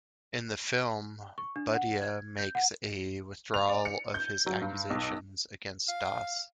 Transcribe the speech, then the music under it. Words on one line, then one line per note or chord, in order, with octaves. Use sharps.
In the film, Budhia makes a withdrawal of his accusations against Das.
C#6
D4
F#5
G#6
G6
F#5
F7
D5
C#7
G6
F#3
G2
B1
F5